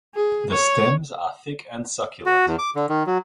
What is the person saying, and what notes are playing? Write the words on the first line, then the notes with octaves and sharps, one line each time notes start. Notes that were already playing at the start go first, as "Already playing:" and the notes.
The stems are thick and succulent.
G#4
C#5
F#4
E2
D6
D3
D#3
F#3